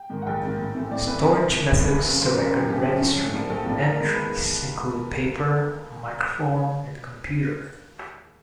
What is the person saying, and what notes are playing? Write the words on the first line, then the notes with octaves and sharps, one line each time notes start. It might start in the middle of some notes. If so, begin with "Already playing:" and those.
Storage methods to record registry entries include paper, microform, and computer.
Already playing: G5
G#2 D#3
F#5
A#1 G5
G#2 D#3
A2
E3 A3 C4
A2 D5
E3 A3 C4 B4
C2
C3 D#3
C2
C3 D#3
F#1 B4
E2 C#3
F#1 C5
E2 C#3 A#4
F#2 G4
D3 F3 A3 C#4 G4
F#2 G4
D3 F3 A3 C#4
A#1
A2 F3 A#3 D4
A#1 A4
A2 F3 A#3 D4
D#2 A#4
D#3 G#3 B3
D#2 B4